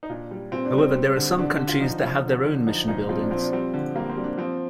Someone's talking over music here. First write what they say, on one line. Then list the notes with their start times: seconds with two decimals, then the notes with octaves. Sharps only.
However, there are some countries that have their own mission buildings.
0.03 D#4
0.09 A#2 D4
0.31 G3
0.52 A#2 C4
0.65 D4
0.73 G3 C4
0.96 G3
1.17 D3
1.38 D3 D4
1.59 D3
1.68 F4
1.80 F3 D#4
2.03 F3
2.24 D3
2.45 D3
2.67 F3 D#4
2.88 A#2 D#4
3.09 F3 C4
3.21 D4
3.31 F3 C4
3.42 D4
3.52 G3 C4
3.74 D3
3.96 G3 A#3
4.09 C4
4.17 G3
4.24 D4
4.38 F3 C4